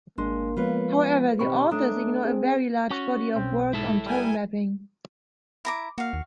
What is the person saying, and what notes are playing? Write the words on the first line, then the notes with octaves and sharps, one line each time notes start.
However, the authors ignore a very large body of work on tone mapping.
G#1 G#3 A#3 D4 C6
F3 G#3 B3 F4 B4 C#5
B2 D#3 C4 G4 B5 C#6
D#2 A3 D4 A#5 D#6
C4 G#4
C#4 F#4
B1 C4
G#2 E4 A4
G3 A#4 G#5
E4 A#5 D6
A#3 F#4 F5
D#2